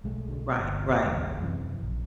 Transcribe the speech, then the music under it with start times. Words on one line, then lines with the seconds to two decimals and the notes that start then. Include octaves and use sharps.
Right. Right.
0.04 B1 G#3 A3
0.59 G1
1.06 D1 A1 E2 G#3
1.42 F#2 C3 E3
1.83 A#1